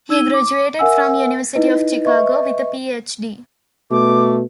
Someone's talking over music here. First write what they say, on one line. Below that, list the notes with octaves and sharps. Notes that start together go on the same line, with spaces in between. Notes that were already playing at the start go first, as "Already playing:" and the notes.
He graduated from University of Chicago, with a PhD.
D#4 E6 G#6 D#7 G7
D6
A#4 E5 F#5 G#5 E6
D#4 E4 B4 D#5
B4 D#5 E5 C#6
B2 A3 D6